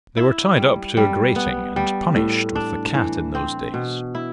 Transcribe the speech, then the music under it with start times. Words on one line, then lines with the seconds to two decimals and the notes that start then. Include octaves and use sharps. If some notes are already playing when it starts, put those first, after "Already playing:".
They were tied up to a grating and punished with the cat in those days.
0.17 E4
0.57 G3
0.97 G3
1.36 B3
1.76 G3
2.16 A2
2.55 D4
2.95 E3
3.35 C4
3.74 B2
4.15 E4